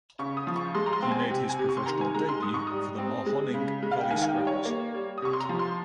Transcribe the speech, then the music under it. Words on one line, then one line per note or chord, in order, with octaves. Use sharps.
He made his professional debut for the Mahoning Valley Scrappers.
C#3 C#6
D#6
F3
C#6
G#3 C6
A#5
C6
C4
G#5
C3 G5
G#5
C3
C#6
C6
D#3 A#5
G#5
G#3 A#5
C6
G#2 D#6
C#6
G3 D#6
C4
G#3
C#3
G#3
F5
G5
D#3 G#5
F5
G5
G3
C#5
A#3
G3
D#6
C3 C#6
C6
A#5
F3
C6